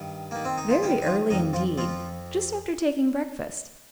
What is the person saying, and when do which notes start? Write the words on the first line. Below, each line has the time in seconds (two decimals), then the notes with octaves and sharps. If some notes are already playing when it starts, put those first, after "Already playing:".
Very early, indeed--just after taking breakfast.
Already playing: G2 D#3
0.31 D#3 A#3
0.45 C4
0.58 D#4
0.70 F4
0.82 D#3 G3 G4
1.02 D#4
1.06 F3 F4
1.30 F2 D#3 D#4
1.53 F3 F4
1.77 F2 F3 F4